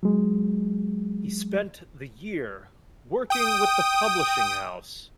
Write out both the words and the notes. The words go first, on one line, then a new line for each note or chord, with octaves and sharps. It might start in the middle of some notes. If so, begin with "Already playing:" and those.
He spent the year working with the publishing house.
F#3 G#3
G5 D#6